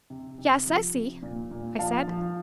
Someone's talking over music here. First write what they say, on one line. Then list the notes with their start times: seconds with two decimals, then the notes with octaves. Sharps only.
"Yes, I see," I said.
0.10 C3
0.38 C3
0.66 F3
0.95 C3
1.22 A#2
1.51 A#2
1.79 F3 F5 A5
2.08 F3